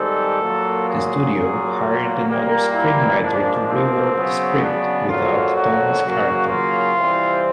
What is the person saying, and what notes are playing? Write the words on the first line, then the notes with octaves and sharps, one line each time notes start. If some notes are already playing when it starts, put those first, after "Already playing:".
The studio hired another screenwriter to rework the script without Tomei's character.
Already playing: G#2 D#3 G3 C4 A4
A#2 F#3 A#3
G#4
A#2 F#3 A#3
A#2 G3 A#3
E4
G#2 F3 A#3 D4
C4
C#3 F#3 B3
D4
F2 D3 F#3 A#3 F4
F#4
C#3 F#3 A#3
F4
C3 E3 G3 C4